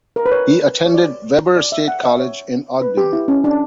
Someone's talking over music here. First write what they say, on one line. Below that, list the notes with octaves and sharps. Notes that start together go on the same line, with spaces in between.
He attended Weber State College in Ogden.
A#4
B4
C#5
C#5
D5
D5
E5
F#5
E5
C#5
B4
G4
E4
C#4
D4